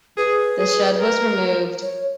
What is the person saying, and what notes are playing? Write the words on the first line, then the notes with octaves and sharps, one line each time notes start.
The shed was removed.
G#4 B4
G#4
A#4
C#5